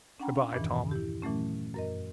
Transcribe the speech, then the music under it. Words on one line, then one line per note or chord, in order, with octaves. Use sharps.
Good-by, Tom.
C#4 D4 F#5 G5 A#5 B5
F5
E2 G2 A#2 D#3 E3
E4 G4
A#2 E3 F#3 A3 C#4
F#2 A#4 D#5